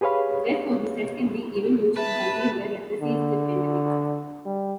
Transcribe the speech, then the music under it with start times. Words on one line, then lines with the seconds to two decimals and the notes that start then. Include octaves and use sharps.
Therefore, this test can be even used in countries where leprosy is still endemic.
0.01 G4 G#4 B4 C#5 F5 B5
1.96 B4 E5 A5
3.02 D3
4.46 G3